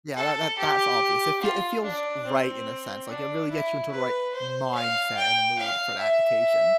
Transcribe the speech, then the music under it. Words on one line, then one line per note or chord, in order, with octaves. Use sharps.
Yeah, that that that's obvious. It fee it feels right in a sense, like, it really gets you into the right mindset and mood for that occasion.
A4
G4
F4
D4
C4
D4
E4
B4
C5
F5
G5
F5
E5